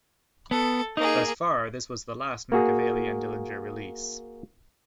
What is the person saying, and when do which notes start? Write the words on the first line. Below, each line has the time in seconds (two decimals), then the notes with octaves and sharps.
Thus far, this was the last Makaveli and Dillinger release.
0.51 B3 A4
0.97 A#3 D#4 G#4
2.52 A#3 F#4 G#4